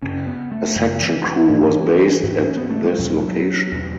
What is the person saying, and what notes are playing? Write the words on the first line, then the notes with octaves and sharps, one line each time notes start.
A section crew was based at this location.
F#2 C#3 C#4
B3
A3
F#2 C#3 G#3
E3
E3
G#2
G#2
C#4
B3
A3
G#3
E2 B2 F#3
E2 B2